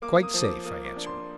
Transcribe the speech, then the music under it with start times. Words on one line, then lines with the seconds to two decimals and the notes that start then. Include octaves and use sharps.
"Quite safe," I answered.
0.02 A#3 D6
0.23 D#6
0.34 F3 D#6
0.44 D6
0.65 A#3 D#6
0.85 D6
0.96 D4
1.06 C6